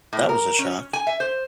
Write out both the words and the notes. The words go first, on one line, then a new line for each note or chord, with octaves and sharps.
That was a shock.
A2
A#4
C#4
G#5
E5
C5